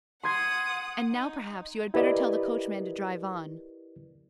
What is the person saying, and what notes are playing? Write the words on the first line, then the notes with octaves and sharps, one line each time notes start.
And now, perhaps, you had better tell the coachman to drive on.
F#5 C6 D#6 G#6 C7
D#4
E4 G4 A#4 B4 D5 D#5